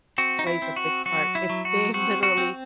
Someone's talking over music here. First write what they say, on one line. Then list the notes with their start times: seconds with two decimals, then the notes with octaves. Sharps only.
plays a big part if they literally,
0.18 C4 F#4
0.39 D#4
0.47 E4
0.62 C4
0.76 F#4
1.06 F#3 F#4
1.35 E4
1.49 F#3
1.65 F#4
1.94 C4 F#4
2.23 F#4
2.38 C4